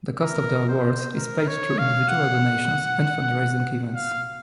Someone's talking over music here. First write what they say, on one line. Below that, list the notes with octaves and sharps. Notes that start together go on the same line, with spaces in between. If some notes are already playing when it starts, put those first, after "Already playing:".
The cost of the awards is paid through individual donations and fundraising events.
A#4
C5
A#4
C#5
F5
F#5
F5